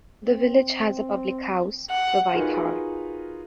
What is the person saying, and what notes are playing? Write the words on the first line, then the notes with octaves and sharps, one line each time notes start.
The village has a public house, the White Hart.
C4
F#5
D#4 F4 F#4 G#4 A#4 B4